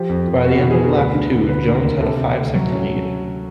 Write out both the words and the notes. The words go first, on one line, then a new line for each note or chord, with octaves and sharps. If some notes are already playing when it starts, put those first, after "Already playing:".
By the end of lap two, Jones had a five-second lead.
Already playing: F3 G4
F2
F2
B3 F#4
B2 G4
G#4
B3 A#4
D2 B4
D3
D2
D3 B4
D3
A#4
D#2
C3 A4
C3
D2
F#3
C#4